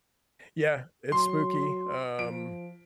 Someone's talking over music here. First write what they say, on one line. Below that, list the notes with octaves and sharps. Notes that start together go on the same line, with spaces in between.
Yeah, it's spooky, um,
F#3 C6
F3 D7